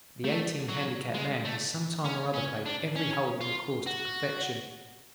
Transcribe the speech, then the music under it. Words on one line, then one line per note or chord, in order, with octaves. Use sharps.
But the eighteen-handicap man has some time or other played every hole on the course to perfection.
A3
F#3
G#3
A3
C#4
C#4
D4
C#4
F4
F#4